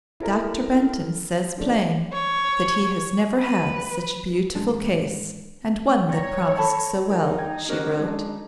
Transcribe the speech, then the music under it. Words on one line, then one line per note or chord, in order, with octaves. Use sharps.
"Doctor Benton says plain that he has never had such a beautiful case and one that promised so well," she wrote.
E4 A4 A#4 A#5
C#3 F3 A3 D4
C#5
B4
A1 G#3 D4
C#5 D5 G5 A#5 A6 A#6
A4 A5 B5
D#4 G#4 A#4 G#5
G5 G#6
C#4 F#4 G4 A#4 C5
G#3 D4